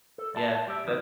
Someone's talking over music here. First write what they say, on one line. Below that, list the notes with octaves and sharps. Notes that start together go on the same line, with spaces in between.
Yeah. That's
A4
D5 E5 A5
A5
G3 G4 D5 E5
F2 D#3